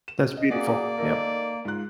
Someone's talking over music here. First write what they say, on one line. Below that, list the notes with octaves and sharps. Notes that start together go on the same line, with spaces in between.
That's beautiful, yep.
E7
D#5
A#3 F#4 G#4 D5
D#4 A4 A#4
G#2 F4 F#6